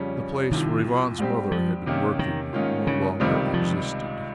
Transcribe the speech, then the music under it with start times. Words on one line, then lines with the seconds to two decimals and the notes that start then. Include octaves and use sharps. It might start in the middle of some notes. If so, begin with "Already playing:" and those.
The place where Ivan's mother had been working no longer existed.
Already playing: F2 C#3 G3 C#4
0.51 C2 C3 D#3 F3
1.18 G#2 G3 C4 G4
1.52 F3
1.86 C3 D#3 A#3 C#4 G4
2.19 D#3
2.53 G#2 D#3 A#3 C#4 F4
2.87 C#3
3.20 C#2 C3 D#3 G3 C4
3.54 F3